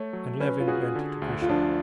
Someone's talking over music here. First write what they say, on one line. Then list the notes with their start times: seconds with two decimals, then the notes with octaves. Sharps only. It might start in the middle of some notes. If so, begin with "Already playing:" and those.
And Levin went to Grisha.
Already playing: A3 C#5
0.13 F#3
0.40 C#4 B4
0.60 F4
0.68 F#4 G#4
0.95 D3
1.22 D2
1.42 F4
1.49 F3 D4